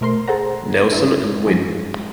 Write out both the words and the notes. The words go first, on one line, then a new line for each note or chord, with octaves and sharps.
Nelson and Wm.
B2 A3 A#4 C5 C6
G#4 A4 C5 F#5 A#5
D4 E4
G#2 F3 F#3 G#3